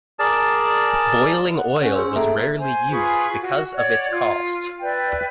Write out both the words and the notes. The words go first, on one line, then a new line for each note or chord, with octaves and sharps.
Boiling oil was rarely used because of its cost.
G#4 A#4 D5 A5
F#5
C#4 C#5
G#4 C5 C6 E6
A#3 A4 E5 A#5
C5 G#5
F4 G#4 B4 C#6
F#4
C#5 D5 F#5
F4
B4 D5 E5 G5